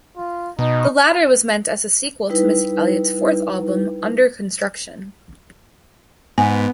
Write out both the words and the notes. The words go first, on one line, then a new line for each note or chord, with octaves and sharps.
The latter was meant as a sequel to Missy Elliott's fourth album "Under Construction".
F4
B2 D#4
G3 D#4 E4 B4
G#2 B3 G#5